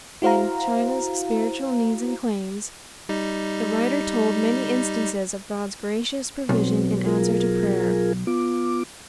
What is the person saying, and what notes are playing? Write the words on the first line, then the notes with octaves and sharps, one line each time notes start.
In "China's Spiritual Needs and Claims" the writer told many instances of God's gracious provision in answer to prayer.
E4 F#4 C5 F5 A#5
G3 D#4
B1 C4
F4 G#4 A#4
B3 F4 D6